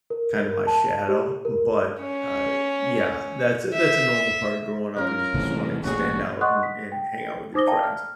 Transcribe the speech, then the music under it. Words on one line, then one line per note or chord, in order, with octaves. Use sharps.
kinda my shadow. But, uh, yeah, that's a that's a normal part of growing up, is you just wanna extend out and and hang out with your friends.
A#4
A#4
A5
G4
A#4
C#4
E5
F#3 C#4 F4 A#4
A2 C3 E3
A1 A#2 C#4 F#4 G#4
D#5 F#5 C6 C#6 D#6 F#6
B6
G5
D#4 C5 D6 D#6 A#6 G7
D5 E5 F5 G5 A5 A#5
F6